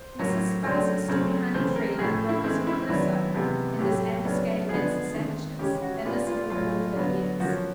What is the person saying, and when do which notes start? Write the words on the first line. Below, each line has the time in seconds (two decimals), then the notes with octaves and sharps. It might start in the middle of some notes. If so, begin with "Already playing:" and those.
Mrs. Sparsit stood behind a tree, like Robinson Crusoe in his ambuscade against the savages, and listened with all her ears.
Already playing: C5
0.19 A2 F#3 A#3 C#4
0.64 C#3 F#3 A3 D4
1.08 C#3 F#3 A3 C4
1.54 C#3 E3 A3 C4 C5
1.76 A#4
1.99 A2 F3 A3 G#4
2.29 E4
2.44 E3 G#3 C4
2.67 E4
2.89 D#3 F#3 B3 D4 E4
3.34 C3 E3 G#3 B3
3.79 A2 F#3 A3 G4
4.25 C#3 F#3 B3 D4
4.69 D3 F3 G#3 B3 D4 G#4
5.15 D#3 G#3 C4
5.59 C#3 E3 G#3 C#4 G4
5.82 F#4
6.05 A#2 G3 B3 F4
6.27 F4
6.50 A2 F#3 A3 F4
6.95 D3 F#3 B3
7.40 F3 A#3 C#4 F#4